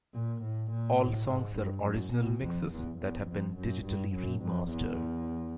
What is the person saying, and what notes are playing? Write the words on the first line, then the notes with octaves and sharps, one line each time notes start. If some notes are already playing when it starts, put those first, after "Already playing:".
All songs are original mixes that have been digitally remastered.
A#2
A2
A#2
A2
G#2
G2
F#2
B2
F2
E2
E2
F2
F#2
G2
F#2
F2
E2